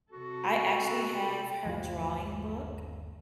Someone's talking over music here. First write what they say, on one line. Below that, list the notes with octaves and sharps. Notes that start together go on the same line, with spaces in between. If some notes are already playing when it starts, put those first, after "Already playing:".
I actually have her drawing book.
C3 F#4 A4
G1 D#2 F3 A3 F4